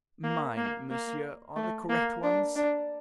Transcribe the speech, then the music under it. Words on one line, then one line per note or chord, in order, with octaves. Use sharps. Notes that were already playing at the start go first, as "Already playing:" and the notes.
"Mine, monsieur, are the correct ones."
A#3
A#3
A#3
A3
A#3
D4
D4